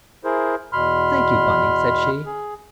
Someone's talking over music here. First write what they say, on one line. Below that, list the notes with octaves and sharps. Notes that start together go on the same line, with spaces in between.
"Thank you, Bunny," said she.
E4 G#4 A#4 C5
E2 B2 B5 C6 F6
G#4